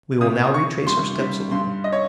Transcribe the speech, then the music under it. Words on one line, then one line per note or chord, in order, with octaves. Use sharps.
We will now retrace our steps a little.
C3 D#6
D#6
C3 C#6
G3 C6
G3
G2 C6
D#5
C#5